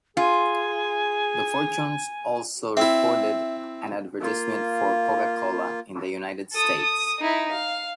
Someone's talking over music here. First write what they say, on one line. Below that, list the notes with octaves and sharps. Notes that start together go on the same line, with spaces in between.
The Fortunes also recorded an advertisement for Coca-Cola in the United States.
F4 G#4 G#5
C4 E4 E5
A#3 F4
A4 D#6
D#6
D#4 E4
F5